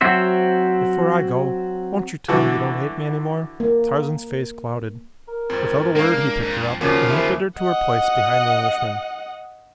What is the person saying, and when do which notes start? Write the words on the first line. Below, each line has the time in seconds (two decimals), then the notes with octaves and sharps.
"Before I go won't you tell me you don't hate me any more?" Tarzan's face clouded. Without a word he picked her up and lifted her to her place behind the Englishman.
0.01 F#3 C4 F#4 C5 E5
2.28 D3 E3 F#4
3.60 A#3
5.28 A#4
5.50 G#1 F2 C4
5.96 G#3 A#3 D4 F5
6.43 F2
6.81 D#2 C#3 F3 F#3 A#3 F4
7.10 C3 E5 G#5 B5
7.57 D#5 F#5